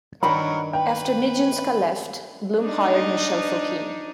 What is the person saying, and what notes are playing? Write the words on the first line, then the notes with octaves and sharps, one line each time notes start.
After Nijinska left, Blum hired Michel Fokine.
G2 D#3 G3 A#4 C#5 F#5 B5
B4 G5
D4 D#4